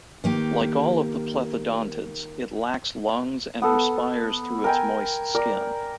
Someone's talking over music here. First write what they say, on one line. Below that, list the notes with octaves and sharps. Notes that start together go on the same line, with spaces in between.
Like all of the plethodontids, it lacks lungs and respires through its moist skin.
D#3 A#3 G4
B3 A4
A#4 G5 G#5
A#4 D5